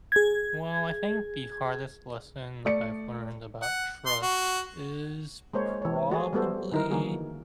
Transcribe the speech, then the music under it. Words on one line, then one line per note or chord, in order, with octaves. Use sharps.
Well, I think the hardest lesson I've learned about trust is probably
G#4 G#6
A3 D5 C#7
F#5
C6
F#4
G#3 A#3 C5 C#5
E3 C#5
A3 F#4 G#4
G3 A3 B3 F#4 A4 C5
D3 D#3 D#4 E4 A#4
D3 E3 A#3 F#4 G#4